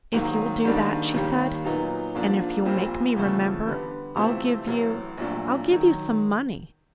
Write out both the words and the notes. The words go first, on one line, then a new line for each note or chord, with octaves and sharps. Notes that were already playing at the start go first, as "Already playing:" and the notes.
"If you'll do that," she said, "and if you'll make me remember, I'll give you--I'll give you some money."
G#2 D#3 F#3 A#3
G#2 D#3 G3 A#3 D4
D#2 D#3 G3 A#3
A#2 F#3 B3 D#4
G#2 F3 A#3 D4
A#1 A#2 G3 C4
E2 C#3 F3 A3
D3 G3 B3
C3 E3 A3 C4 F4
A1 A2 F#3
A#1 A#2 F#3 A3 D4
D#3 F#3